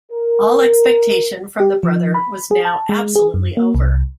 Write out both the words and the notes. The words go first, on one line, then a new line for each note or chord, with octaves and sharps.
All expectation from the brother was now absolutely over.
A#4
G4
F3
B5
G#4
A5
G#3
G#4
F#2
A#3
C2